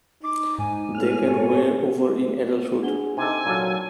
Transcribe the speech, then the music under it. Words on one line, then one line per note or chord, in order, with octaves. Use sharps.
They can weigh over in adulthood.
D#4 D6
G#2 G#5
A2 F6
A#2 A4 C#5
D4 G#4 F#5 G7
C3 D#4 A4 G#5
A#2 F#3 A4